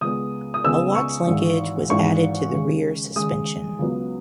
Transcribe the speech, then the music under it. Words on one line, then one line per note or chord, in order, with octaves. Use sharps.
A Watt's linkage was added to the rear suspension.
C#2 C#3 G#3 B3 D#6
D#6
C#2 C#3 G#3 B3 E6
C#6
G#1 G#2 E3
G#1 G#2 E3 C#6
D#2 C#3 G#3
D#2 C#3 G#3 D#6
C#2 C#3 F#3 B3